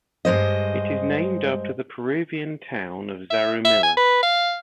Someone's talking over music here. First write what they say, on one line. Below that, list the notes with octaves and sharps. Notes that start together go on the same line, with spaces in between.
It is named after the Peruvian town of Zarumilla.
G2 G#3 C5 D#5
E5
E5
G#5
B4
F5